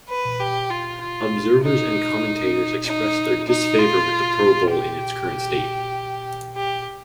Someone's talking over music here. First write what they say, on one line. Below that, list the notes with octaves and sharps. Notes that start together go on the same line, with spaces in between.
Observers and commentators expressed their disfavor with the Pro Bowl in its current state.
B4
G4
F4
F4
D#4
D#4
D#4
F4
G4
G4